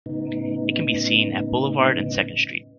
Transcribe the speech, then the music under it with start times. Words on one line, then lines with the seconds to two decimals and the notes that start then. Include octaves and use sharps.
It can be seen at Boulevard and Second Street.
0.06 A2 C#3 B3 D#4